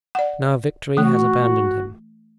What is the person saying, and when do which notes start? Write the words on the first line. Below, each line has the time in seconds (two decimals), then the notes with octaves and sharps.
Now victory has abandoned him.
0.15 D5 F#5
0.97 E3 A3 F#4